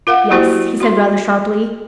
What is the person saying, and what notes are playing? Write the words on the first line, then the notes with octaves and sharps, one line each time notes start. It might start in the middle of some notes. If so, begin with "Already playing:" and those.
"Yes," he said rather sharply.
F4 A#4 F5 F#5
F#3 A#3 E4 F#4 G4 C5
F#4 C6